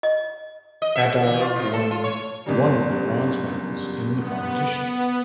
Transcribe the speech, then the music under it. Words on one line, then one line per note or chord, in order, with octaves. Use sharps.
Adar won one of the bronze medals in the competition.
D#5
D#5
E5
E3
F4
C3
A4
F4
C#5
F#1 E2 G2
B3